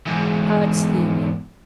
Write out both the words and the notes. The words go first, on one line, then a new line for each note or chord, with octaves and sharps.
Hart's Theory.
E2 G#2